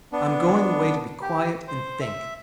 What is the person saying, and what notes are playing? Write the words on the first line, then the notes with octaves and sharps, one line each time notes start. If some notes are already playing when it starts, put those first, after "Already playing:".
I'm going away to be quiet and think.
B3 D4
G4
C5
E5